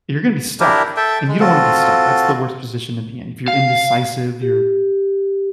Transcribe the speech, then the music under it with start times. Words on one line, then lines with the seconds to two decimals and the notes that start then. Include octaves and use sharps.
you're gonna be stuck," and you don't wanna be stuck. That's the worst position to be in. If you're indecisive, you're
0.60 D4 E4 G4 A#4
0.97 A4 E5 G5
1.27 G#3
1.40 C4 F4 F#4 A4
3.48 F5
4.42 G4